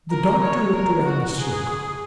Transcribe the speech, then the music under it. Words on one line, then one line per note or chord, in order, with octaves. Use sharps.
The doctor looked around the circle.
A#4
C#5
A#4
F#4
G#4